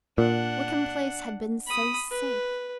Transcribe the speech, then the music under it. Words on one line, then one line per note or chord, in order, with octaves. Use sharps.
Wickham Place had been so safe.
A#2 D4 F#5
B5 D#6
B4